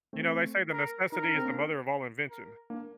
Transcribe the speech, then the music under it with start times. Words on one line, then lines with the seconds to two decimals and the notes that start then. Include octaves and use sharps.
You know, they say that necessity is the mother of all invention.
0.13 A3 C4
0.72 A#4
1.12 D#4 A#4
1.24 D4
1.35 C4
1.45 A#3 D4
2.30 A#4
2.70 A#3 D4